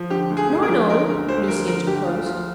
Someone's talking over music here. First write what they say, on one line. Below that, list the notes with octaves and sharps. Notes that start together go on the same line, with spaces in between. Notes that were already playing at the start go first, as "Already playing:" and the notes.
"No, no," Lucy interposed.
Already playing: F3
D3 G4
D2
G#4
D2
A#4
F3
D3 A#4
D2 A#4
D2 C5
F3 A#4
D3 A#4
D2 G4
D2 F4
F3 F4